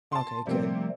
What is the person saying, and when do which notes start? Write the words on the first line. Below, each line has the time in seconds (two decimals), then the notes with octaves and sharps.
Okay, good.
0.12 A5 C6
0.47 C3 F3 G3 A3 A#3 C4